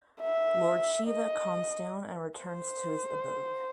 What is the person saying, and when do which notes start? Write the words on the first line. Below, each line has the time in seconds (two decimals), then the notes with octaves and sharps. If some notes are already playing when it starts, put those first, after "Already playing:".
Lord Shiva calms down and returns to his abode.
0.21 E5
1.08 D#5
2.40 C5